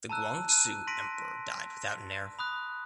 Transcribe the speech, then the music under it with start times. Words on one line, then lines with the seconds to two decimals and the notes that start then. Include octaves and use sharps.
The Guangxu Emperor died without an heir.
0.09 A5 A#5 E6 F#6
0.49 F#6 D#7
0.87 C6 A#6 B6 D7 D#7
2.39 B5 D#6 F#6